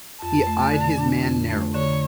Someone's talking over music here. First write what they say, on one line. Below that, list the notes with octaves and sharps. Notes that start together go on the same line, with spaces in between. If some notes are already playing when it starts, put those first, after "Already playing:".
He eyed his man narrowly.
F2 A5
A3
D3
D4
F2
A3
D3 C#5